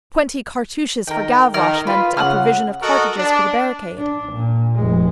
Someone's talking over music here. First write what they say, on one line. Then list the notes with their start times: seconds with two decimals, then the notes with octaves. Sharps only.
Twenty cartouches for Gavroche meant a provision of cartridges for the barricade.
1.07 D#3 A#4 G5
1.54 D#3 A#4 F6
1.87 F4 B4
2.17 C#3 F#5 F6
2.82 F#4 A4 A#4 D#5
3.18 D4
3.98 D4
4.33 A#2
4.75 F1 G#3